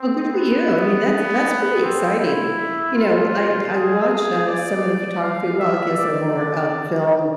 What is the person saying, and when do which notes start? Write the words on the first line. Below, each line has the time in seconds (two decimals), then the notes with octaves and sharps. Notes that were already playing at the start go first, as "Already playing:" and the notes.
well, good for you, I mean, that's that's pretty exciting. You know, I I watch, uh, some of the photography well, I guess they're more of film
Already playing: C4
0.32 B3
1.07 B3
1.82 C4
2.19 E4
2.95 F4
3.71 G#4
4.47 D5
5.21 F5
5.59 E5
5.97 D5